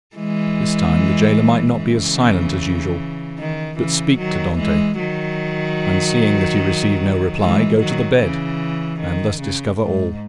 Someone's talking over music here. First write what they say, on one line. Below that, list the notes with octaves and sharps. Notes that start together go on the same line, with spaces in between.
This time the jailer might not be as silent as usual, but speak to Dantes, and seeing that he received no reply, go to the bed, and thus discover all.
E3 G#3
C#3 E3
D#3
C#3 E3
D#3 F#3
E3 G#3
D#3 F#3
E3 G#3
D#3 F#3
C#3 E3
D#3
C#3
G#2